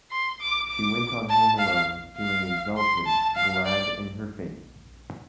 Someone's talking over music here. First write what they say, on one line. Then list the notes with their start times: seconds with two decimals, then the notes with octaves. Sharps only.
She went on home alone, feeling exalted, glad in her faith.
0.11 C6
0.40 D6
0.70 D6
1.30 A5
1.59 F5
2.18 F5
2.77 C6
3.06 A5
3.35 F5
3.66 D5